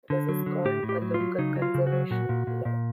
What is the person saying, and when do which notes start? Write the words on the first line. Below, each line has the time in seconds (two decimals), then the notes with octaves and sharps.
This is called a "local conservation" law.
0.10 D3
0.29 F#3
0.46 D3
0.65 A2 G4
0.83 A2
0.89 G4
1.02 F#3
1.14 F4
1.20 F#3
1.38 C#3 D#4
1.56 F#3
1.62 F4
1.74 C#3
1.87 F#4
1.92 F#3
2.11 A#2 F#4
2.29 A#2
2.47 A#2
2.65 A#2